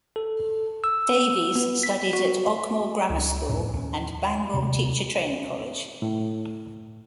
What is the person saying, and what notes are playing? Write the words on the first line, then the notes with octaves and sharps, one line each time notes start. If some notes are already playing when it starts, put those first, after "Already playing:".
Davies studied at Ogmore Grammar School and Bangor Teacher Training College.
A4
E6
B3
B6
F#4
C#2 D4
F2 A2
D#2 C#4
D#2 C3
A2